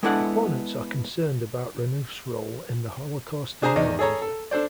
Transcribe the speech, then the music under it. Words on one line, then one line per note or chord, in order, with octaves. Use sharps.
Opponents are concerned about Renouf's role in the Holocaust denial movement.
G#3 B3 D4 E4 A4 F#5
D4 G#4 C5 A#5
E2 D#3 D5 D#5
G#4 A4 C#5 A#5
A4
D4 A4 C5 D5